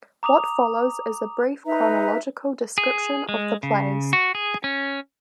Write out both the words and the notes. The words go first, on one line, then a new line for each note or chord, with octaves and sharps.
What follows is a brief, chronological description of the plays.
A#5 D6 D#6 F7
D#4 B4 E5 A#5
G#4
G#3
C#3
F#4
G#4
C#4